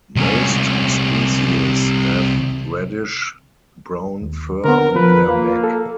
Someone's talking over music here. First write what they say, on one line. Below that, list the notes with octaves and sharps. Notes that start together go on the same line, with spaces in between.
Most species have reddish brown fur on their back.
C2 C#4
D#2
D3 B3 A#4
F3 B4
A#3 F4
A4